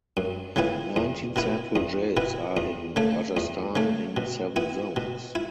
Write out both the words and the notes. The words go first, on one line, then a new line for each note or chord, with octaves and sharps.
Nineteen Central Jails are in Rajasthan in seven zones.
F#2
C#3 E3 B3 E4
E2
B2 B3 E4
E2
B2 B3 E4
E2
C#3 A3
E2
C#3 A3
B2
B3 E4
B2
E4